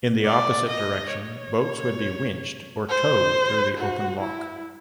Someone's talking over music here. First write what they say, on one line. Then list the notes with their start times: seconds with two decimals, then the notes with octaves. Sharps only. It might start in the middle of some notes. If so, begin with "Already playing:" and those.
In the opposite direction boats would be winched or towed through the open lock.
0.25 D5
0.69 D#5
1.13 C#5
2.89 C5
3.77 F#4
4.21 E4